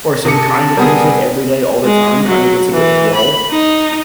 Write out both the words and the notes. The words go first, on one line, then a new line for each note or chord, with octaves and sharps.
or same kind of music every day all the time kinda gets a bit droll.
C3 G#4 A5 D6 C#7
G3 B3 G#4 A#4 G#5
G#3
F#3
E3
B5
D#4